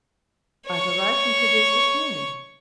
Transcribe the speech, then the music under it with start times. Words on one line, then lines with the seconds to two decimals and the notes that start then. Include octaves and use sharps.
I have arrived from Cadiz this morning.
0.67 C#5 C#6